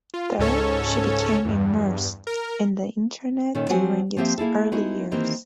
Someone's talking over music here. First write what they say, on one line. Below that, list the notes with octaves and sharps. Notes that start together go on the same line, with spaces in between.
There she became immersed in the internet during its early years.
F4
C#2 G#2 C#4 A4 C#5
E2 G2
A#4
A#2 D#3 C#4 A4
F3 F#3 C4 F#4 F#5 G#5
F3 A#3 C4 G4 E5
A#3 E4 G#4 A4
G#3 B3 D#4 E4 F#4
D#3 E3 A#3 C4 D#4 G4